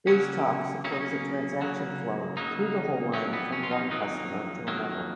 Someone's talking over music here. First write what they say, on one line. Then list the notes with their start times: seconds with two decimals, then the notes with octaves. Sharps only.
BizTalk supports the transaction flow through the whole line from one customer to another.
0.07 C#3 F#3 A#3 C#4
0.84 C#3 F#3 A#3 C#4
0.92 D#4
1.00 C#4
1.61 C#3 F#3 A#3
2.37 C#3 F#3 A#3 D#4
3.14 F2 D#3 F#3 A#3 C#4
3.33 B3
3.52 C#4
3.63 F4
3.71 D#4
3.90 F2 D#3 F#3 A#3 D#4
4.67 F2 D#3 F#3 A#3